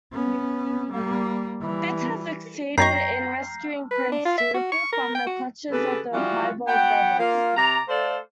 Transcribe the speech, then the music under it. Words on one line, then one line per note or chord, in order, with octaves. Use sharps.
Fitz has succeeded in rescuing Prince Dutiful from the clutches of the Piebald rebels.
B3 C#4
G3 A#3
E3 G3
F#2 C#5 G5 A#5 C#6 G6 A#6 C7
B4
D4
F4
E5
F#4
C#6
A#4
G5
F#4
C#3 G4 A4 B4
E3 F3 G3 F4 F#4
B3 F#4 F#5 G5
A#3 F4
C3 D5 A#5
A3 A4 C5 D5 F5